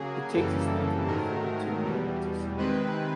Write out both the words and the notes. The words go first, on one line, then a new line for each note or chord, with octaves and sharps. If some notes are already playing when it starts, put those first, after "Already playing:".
It takes its name from the fairy tale character Cinderella.
Already playing: C#3 F#3 A#3 G#4
F#2 C#3 E3 G3 A#3 A4
G#2 D#3 F#3 A3 A#4
E2 B2 G3
C3 D#3 G#3 C4 B4